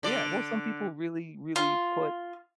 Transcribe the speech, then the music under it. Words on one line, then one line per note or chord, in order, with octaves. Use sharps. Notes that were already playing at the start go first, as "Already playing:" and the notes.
yeah, well, some people really, really put
D3 D5
F4